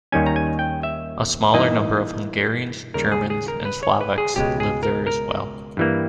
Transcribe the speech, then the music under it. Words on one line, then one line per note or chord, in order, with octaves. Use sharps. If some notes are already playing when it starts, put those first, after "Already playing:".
A smaller number of Hungarians, Germans and Slovaks lived there as well.
D#2 D#3 G3 C#4 G#5
A#5
G#5
G5
E5
G2 E3 A#3 D#4 D#5
D#2 C#3 G3 A#4
G#4
G#4
A#4
B4
C#5
B4
G#4
C#2 B2 G#3 G4
G#4
A#4
A#4
G2 E3 G3 A#3